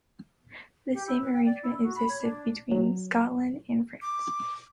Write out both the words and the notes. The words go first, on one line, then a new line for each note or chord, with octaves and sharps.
The same arrangement existed between Scotland and France.
G4
E4
B4
G5
D5
E4
F#4
B5
C#5
D4
F#3
D6